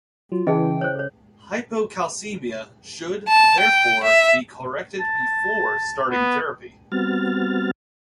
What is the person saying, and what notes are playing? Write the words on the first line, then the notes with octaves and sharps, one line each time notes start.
Hypocalcemia should, therefore, be corrected before starting therapy.
F#3 F4
C#3 E3 D#4 G#4 D#5 G5
C5 C#5
A4 C#5
A5
G5
E5
A5
B3
G3 B3 C4 F#4 F6 A6